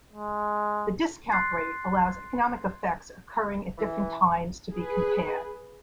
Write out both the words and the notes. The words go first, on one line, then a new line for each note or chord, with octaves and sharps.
The discount rate allows economic effects occurring at different times to be compared.
G#3
C6 F#6 A6 C7
E3
G#4 B4